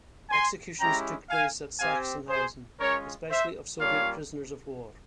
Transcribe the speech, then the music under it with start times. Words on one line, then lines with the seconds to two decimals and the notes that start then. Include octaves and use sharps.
Executions took place at Sachsenhausen, especially of Soviet prisoners of war.
0.30 G#5 C6
0.79 G#3 C#4 E4 G4 G5 A#5
1.29 F5 G#5
1.80 C4 G4 F5 G#5
2.29 G#4 C5
2.80 G#3 C#4 F4 A#4 C#5
3.29 C5 E5
3.79 G3 A#3 C#4 F4 C#5 F5